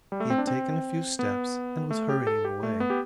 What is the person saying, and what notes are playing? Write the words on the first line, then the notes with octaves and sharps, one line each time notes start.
He had taken a few steps, and was hurrying away.
G3
A3
C4
D4
C4
B3
A3
G4
A4
G4
A3
B3
G4